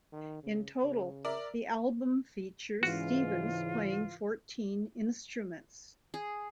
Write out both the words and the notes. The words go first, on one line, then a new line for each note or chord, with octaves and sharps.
In total the album features Stevens playing fourteen instruments.
D#3
C#3
C#3
A#4 D5 E5
G#2 C#3 E3 F4 F#4
G#4